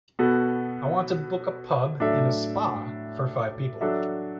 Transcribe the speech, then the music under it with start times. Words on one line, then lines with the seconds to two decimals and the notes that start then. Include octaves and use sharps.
I want to book a pub in a spa for five people.
0.19 B2 B3 F#4 A4
2.00 A2 F#3 D4 A4 E5
3.81 F#3 D4 F#4 A4 E5